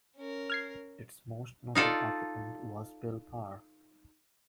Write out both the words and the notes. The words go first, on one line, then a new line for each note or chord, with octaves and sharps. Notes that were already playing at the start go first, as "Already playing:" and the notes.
Its most noted occupant was Bill Parr.
C#4 A#4
F6 G#6 C7
D#4 F4 A4 D5